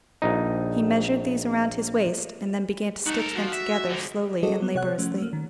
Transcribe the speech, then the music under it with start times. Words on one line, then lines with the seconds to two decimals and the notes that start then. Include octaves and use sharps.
He measured these round his waist, and then began to stitch them together, slowly and laboriously.
0.22 A#1 D#4
3.06 D#4 F#4 A4
3.19 A4 A#4
3.36 F3 F#4
3.52 E5
3.89 D3 D#4
4.43 F#3 G3 F#4 G#4 A4 D#5
4.60 G3 B3
4.75 C3 C#5 F#5 F#6
4.98 F3 A3 C#4
5.18 A3 A#3
5.33 D#3